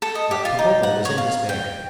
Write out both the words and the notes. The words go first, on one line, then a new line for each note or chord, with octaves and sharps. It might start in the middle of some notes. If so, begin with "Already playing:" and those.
But Popopo was in despair.
A4
D#5
G4
F4
D#4
F#5
C#5
F5
G5